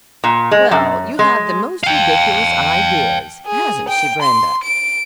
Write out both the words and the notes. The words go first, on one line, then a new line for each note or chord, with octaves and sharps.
"Well, you have the most ridiculous ideas, hasn't she, Brenda?"
A#2
G#3
F#2
G#3
F5 G5
G#4
G5
C6
D7